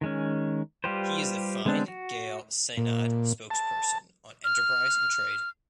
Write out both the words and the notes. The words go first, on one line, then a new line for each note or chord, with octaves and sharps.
He is the Fine Gael Seanad Spokesperson on Enterprise and Trade.
D#3 G#3 C#4
G3 F4 G4 B4 C5
D3 G#3 B3 C4 D4
F#4
A#2
A5
F6